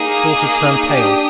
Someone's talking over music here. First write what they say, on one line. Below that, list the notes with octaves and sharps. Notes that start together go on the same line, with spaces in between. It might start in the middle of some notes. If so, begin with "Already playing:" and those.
Daughters turn pale.
Already playing: A#3 D#4 G#4 D#6
D4 G4 D#6